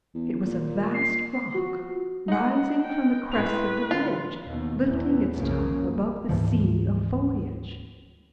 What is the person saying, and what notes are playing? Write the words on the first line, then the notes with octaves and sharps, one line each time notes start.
It was a vast rock, rising from the crest of the ridge, lifting its top above the sea of foliage.
E2
A#2
C7
F3 F#4
D#4 F#5
G5
A2 B4 C6 F7
D3 F4
D#2 B2
E2 A2 E3
C2 F#2 C#3 F3 A#3
D2 G#2 E3 F3